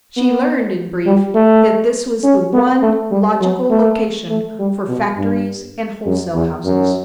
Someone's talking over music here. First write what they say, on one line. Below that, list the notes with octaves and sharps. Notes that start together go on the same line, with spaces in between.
She learned, in brief, that this was the one Logical Location for factories and wholesale houses.
B3
G3
A3
C#4
B3
A3
G3
F#3
A3
A3
G3
B2
G2
F#2
E2
F#2